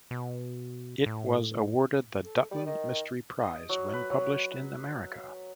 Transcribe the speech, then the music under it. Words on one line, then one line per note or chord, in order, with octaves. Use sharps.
It was awarded the Dutton Mystery Prize when published in America.
B2
A2
A4
G3 D5
D#3 D#5
D#5
F#3
B4
F#3